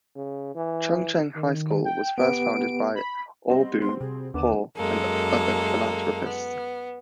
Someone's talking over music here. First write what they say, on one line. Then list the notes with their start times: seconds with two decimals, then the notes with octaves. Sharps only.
Chung Cheng High School was first founded by Aw Boon Haw and other philanthropists.
0.16 C#3
0.56 E3
1.35 D#3
1.85 G5
2.18 B3 G4 B4 D7
2.95 B5
3.49 G3 C4 F#4 D#5
3.82 B3 C6
4.01 C3 G#4
4.34 D#2 D3 B3 D6
4.76 F#2 G#3 A#3 A4
6.24 B3